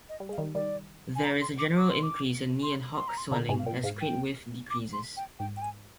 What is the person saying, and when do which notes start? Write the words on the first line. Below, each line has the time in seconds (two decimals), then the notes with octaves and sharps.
There is a general increase in knee and hock swelling as crate width decreases.
0.09 D#5
0.20 G3
0.29 G#3 F5
0.38 D#3 G3
0.55 D#3 G3 D5
1.15 G#5
1.24 A#5
1.41 C6
1.58 D6
1.77 D6
1.89 C6
2.03 D6
2.62 C6
2.97 C6
3.08 A#5
3.17 C6
3.31 A#2 D3 A#5
3.49 G#2 C3 G#5
3.59 F5
3.66 A#2 G5
3.83 G#2 F5
4.01 G5
4.70 D6
4.93 C6
5.17 G5
5.39 G#2 G5
5.56 G5
5.62 G#5